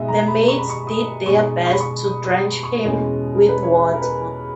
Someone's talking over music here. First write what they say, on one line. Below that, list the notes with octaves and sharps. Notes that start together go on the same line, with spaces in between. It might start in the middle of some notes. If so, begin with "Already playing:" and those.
The maids did their best to drench him with water.
Already playing: B2 G#3 D#4 D#5 E5
A#5
B5
C#6
B5
C#6
D#6
B2 G#3 D#4 C#6
C#6
B5
C#6
D#6
D#6
C#6
E2 B2 G#3 C#4 D#5
A#4
B4
C#5
A#4
B4